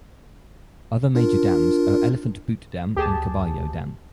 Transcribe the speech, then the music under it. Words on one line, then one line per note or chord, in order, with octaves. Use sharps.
Other major dams are Elephant Butte Dam and Caballo Dam.
D4 F4 A#4
D2 G4 G#4 A5